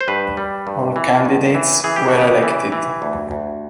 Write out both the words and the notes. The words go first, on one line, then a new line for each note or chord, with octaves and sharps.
All candidates were elected.
C5
G2 B4
G3
G2
E3
G2
E3
E3 G#4
G4
C#3 F#4
G4
E3
E3
D2
D2